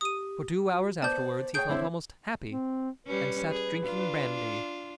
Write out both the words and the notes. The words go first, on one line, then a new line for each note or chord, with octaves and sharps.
For two hours afterwards he felt almost happy, and sat drinking brandy.
G4 D#6 D#7
F#4
B3 C5 D5 A5 G6
G#4 C#5 G5 G6 D7
D3 C4 E4 C#5
C4
G3 C#4 B4
G#4
D4 F4